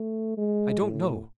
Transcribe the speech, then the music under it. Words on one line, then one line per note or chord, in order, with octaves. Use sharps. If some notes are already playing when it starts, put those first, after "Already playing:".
I don't know.
Already playing: A3
G#3
A2